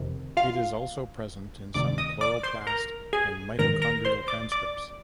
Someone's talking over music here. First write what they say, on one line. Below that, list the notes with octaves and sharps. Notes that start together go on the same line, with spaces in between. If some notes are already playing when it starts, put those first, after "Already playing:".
It is also present in some chloroplast and mitochondrial transcripts.
Already playing: G1 F2 C3 D#3
F4 F5
D2 C3 D#3 D5 D6
D#5 D#6
D5 D6
C5 C6
A#4 A#5
G#4 G#5
A#1 G#2 D#3 A#4 A#5
A#4 A#5
C5 C6
D5 D6
D5 D6